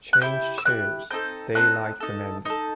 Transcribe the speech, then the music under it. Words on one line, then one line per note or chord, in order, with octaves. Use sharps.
Change chairs, Daylight commanded.
F#6
C4 E4 G4 G6
E6
C4 E4 G4 F#6
C4 D#4 A4 G6
C4 D#4 A4 F#6
D#4 A4
D#4 A4